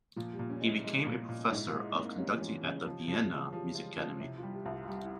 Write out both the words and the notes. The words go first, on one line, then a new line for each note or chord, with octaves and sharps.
He became a professor of conducting at the Vienna Music Academy.
A#2 F3
G3
A#2
C#4
G#3
E4
G#3
A#2
A#2
G#2 E4
F4
G#3
E4
G#3 C4
A#3
G3 C#4
E3
F3 C#4
E3
C#3 C#4
C3 F3
C#3 F3
C#3
E3 F3
F3 G3
G#3 F4
F3 C4
C#4
C3 E4
F4
G3
G4
C2
F4
F4
G3 G4
E4